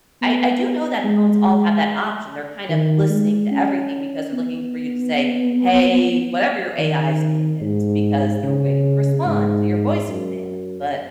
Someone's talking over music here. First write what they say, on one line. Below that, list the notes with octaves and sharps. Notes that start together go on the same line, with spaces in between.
I I do know that phones all have that option, they're kind of listening to everything because they're looking for you to say, "Hey, whatever your AI's name is," because they're waiting to respond to your voice command, but
B3
G#3
D#3
G#3
C#4
B3
D#3
G#2
C#3
G#2
F#2